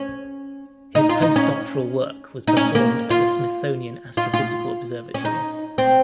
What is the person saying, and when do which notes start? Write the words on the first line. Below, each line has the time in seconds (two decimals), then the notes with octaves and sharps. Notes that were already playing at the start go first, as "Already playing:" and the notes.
His post-doctoral work was performed at the Smithsonian Astrophysical Observatory.
Already playing: C#4
0.95 D#4
1.09 F4
1.22 D#4
1.36 C#4
2.48 D#4
2.57 C#4
2.75 A#3
3.10 F4
4.17 F4
4.34 F4
5.14 C#4
5.25 D#4
5.78 C4